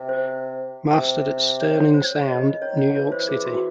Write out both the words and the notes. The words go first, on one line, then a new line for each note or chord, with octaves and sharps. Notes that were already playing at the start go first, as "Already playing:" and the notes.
Mastered at Sterling Sound, New York City.
Already playing: C3
C5
C3
C#5
C#5
C5
C#5
C#3 D#5
D#5
D#3 C#5
C#5
F#3
E3 C#5
C5
G#4
F#4